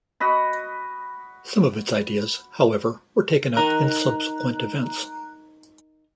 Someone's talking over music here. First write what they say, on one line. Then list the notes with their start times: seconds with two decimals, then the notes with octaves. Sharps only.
Some of its ideas, however, were taken up in subsequent events.
0.20 F#4 D#5 B5
3.57 D#4 A#4 A#5 F#6